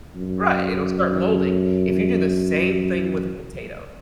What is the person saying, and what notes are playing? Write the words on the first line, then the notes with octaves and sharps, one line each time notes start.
Right, it'll start molding. If you do the same thing with a potato,
F#2